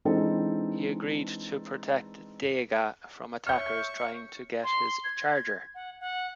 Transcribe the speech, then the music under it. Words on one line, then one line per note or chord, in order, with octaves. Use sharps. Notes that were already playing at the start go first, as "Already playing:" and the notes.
He agreed to protect Dega from attackers trying to get his charger.
E3 G#3 C4 D4 D#4 A4
C#5 E5 C#6 F6 G6
C6
G#6
F#5
F#5